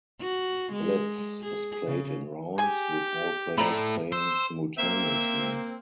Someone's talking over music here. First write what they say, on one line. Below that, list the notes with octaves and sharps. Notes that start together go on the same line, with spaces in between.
"Blitz" is played in rounds, with all players playing simultaneously.
F#4
G#3
G#4
C#3
G4 G#4 G#5
A2 A3 D5 A#5 B5
C5 E6
A#3 C4 E5